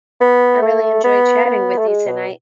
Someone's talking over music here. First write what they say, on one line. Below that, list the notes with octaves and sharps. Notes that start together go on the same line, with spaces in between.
I really enjoyed chatting with you tonight.
B3
A3
B3
B3
A3
G#3
B2